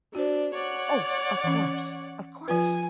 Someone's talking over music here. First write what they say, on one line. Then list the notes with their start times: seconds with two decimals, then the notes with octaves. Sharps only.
Oh, of course, of course.
0.15 D4 F#4 C5
0.54 C#5 D5 F#5
1.44 E3 C#4
2.48 F3 F4 B4 G#5